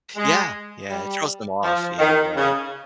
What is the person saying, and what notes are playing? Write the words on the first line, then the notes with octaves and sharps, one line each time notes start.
Yeah, yeah. It throws them off. Yeah, you're right.
G#3
G3
F3
D#3
C#3